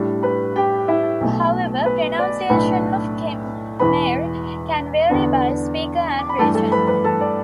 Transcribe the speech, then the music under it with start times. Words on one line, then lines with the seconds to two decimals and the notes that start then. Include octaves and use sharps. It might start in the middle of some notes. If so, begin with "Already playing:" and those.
However, pronunciation of Khmer can vary by speaker and region.
Already playing: A2 G3 D4
0.23 B4 B5
0.56 G4 G5
0.88 E4 E5
1.21 B1 B2 A3
1.86 B4
2.18 D5
2.50 B1 A2 A3 D4 B4 B5
3.79 E1 E2 E3 B4 B5
5.09 E2 D3 B3 D4
6.19 D6
6.29 B5
6.39 G2 E3 A3 D4 A4 A5
6.55 A4 A5
6.72 B4 B5
6.87 B4 B5
7.04 A4 A5
7.21 D5